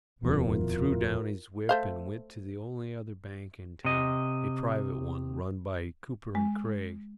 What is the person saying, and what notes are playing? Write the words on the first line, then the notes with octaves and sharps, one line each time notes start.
Merwin threw down his whip and went to the only other bank in town, a private one, run by Cooper & Craig.
D#1 F2 B2 E4 F4 A#4
A3 C5 F5
C3 D#5
G#3